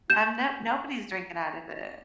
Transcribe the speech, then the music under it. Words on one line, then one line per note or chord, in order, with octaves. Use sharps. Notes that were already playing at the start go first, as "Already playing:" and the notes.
Um, no nobody's drinking out of it.
G6 E7